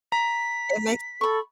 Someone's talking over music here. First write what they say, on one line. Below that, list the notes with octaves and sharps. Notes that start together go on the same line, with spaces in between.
That makes
A#5 B6
A4 B5 C#6